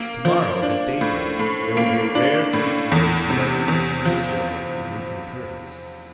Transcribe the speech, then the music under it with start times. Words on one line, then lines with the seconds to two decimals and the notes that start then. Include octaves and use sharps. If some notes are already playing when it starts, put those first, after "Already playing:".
"Tomorrow, at daybreak, there will be a rare treat for those who like fresh turtle eggs and little turtles!"
Already playing: A#3
0.25 F3
0.63 D4
1.01 A2
1.39 A2
1.77 A#3
2.15 D4
2.53 A2
2.92 E2
3.30 C3
3.68 E2
4.05 F3